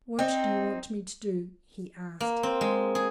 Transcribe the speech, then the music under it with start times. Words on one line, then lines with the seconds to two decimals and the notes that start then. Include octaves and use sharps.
"What do you want me to do?" he asked.
0.19 C4 D#4
2.20 A#3
2.43 C4
2.61 G#3
2.95 G#4